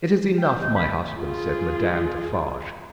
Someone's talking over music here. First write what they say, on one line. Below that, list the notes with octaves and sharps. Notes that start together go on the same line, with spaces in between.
"It is enough, my husband," said Madame Defarge.
G5 G6
D2 D#5 G6
B5 G6 B6
F4 G#4